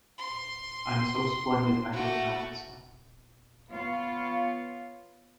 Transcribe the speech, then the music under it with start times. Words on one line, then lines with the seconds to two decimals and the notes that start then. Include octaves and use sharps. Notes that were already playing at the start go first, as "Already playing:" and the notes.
I'm so splendid I don't know myself.
0.18 C6
1.93 A3 F#4
3.71 B3 F4 C#5 F5